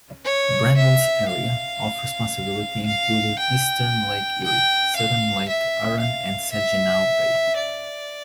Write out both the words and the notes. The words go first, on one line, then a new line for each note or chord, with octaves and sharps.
"Bramble's" area of responsibility included eastern Lake Erie, southern Lake Huron and Saginaw Bay.
C#5
E5
F5
F5
G5
G5
F5
E5
F5
E5
D5